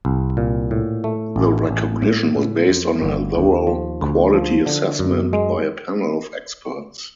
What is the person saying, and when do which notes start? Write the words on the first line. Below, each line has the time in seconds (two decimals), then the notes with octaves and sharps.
The recognition was based on a thorough quality assessment by a panel of experts.
0.05 C2
0.37 A#2
0.71 A2
1.04 A3
1.36 A1
1.69 A1
2.02 A2
2.35 A2
2.69 F2
3.02 G1
3.35 D#2
3.67 F3
4.01 D2
4.34 F3
4.66 D3
4.99 F#2
5.33 G#3